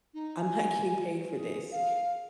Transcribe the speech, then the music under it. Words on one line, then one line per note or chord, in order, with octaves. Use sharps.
I'm not getting paid for this,
D#4
G#5
G#4
F5